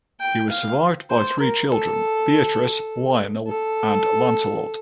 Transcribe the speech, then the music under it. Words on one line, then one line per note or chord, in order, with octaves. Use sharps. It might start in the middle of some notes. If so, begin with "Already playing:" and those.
He was survived by three children, Beatrice, Lionel and Lancelot.
G5
F5
C5
A#4
A4
A4